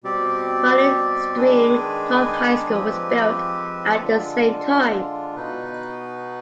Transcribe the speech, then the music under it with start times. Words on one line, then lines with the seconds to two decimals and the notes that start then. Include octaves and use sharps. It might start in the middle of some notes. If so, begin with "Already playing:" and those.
Valley Stream North High School was built at the same time.
0.04 B2 G3 C4 G4 D5
1.36 D#3 G#3 D4 G#4 B4
2.70 F3 G#3 C4 G4 B4
4.02 D3 G#3 D4 F4
5.36 B2 B3 D#4 B4